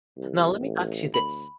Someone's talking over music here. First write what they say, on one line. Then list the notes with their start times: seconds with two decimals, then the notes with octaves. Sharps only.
Now, let me ask you this.
0.17 C2
0.60 A1
1.14 D2 B5